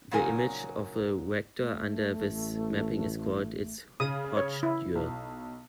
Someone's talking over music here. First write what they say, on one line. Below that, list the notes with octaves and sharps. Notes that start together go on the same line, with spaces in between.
The image of a -vector under this mapping is called its "Hodge dual".
A#2 C#3 F#3 D#4 A#4 G#5
A3
A1
C#3 D#6
C#5
E4
B1